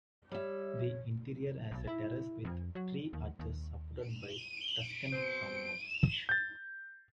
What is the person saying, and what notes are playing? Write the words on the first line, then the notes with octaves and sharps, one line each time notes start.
The interior has a terrace with three arches supported by Tuscan columns.
G3 C#5 E5
B1
E4
F2
F#3
D#2
D#2
B2 C4 C5
G6 A6